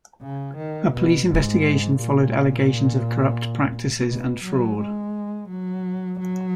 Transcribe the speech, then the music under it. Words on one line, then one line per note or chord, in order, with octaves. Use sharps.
A police investigation followed allegations of corrupt practices and fraud.
C#3
D#3
B2
G#2
A#2
B2
F#3
G#3
F#3
F#3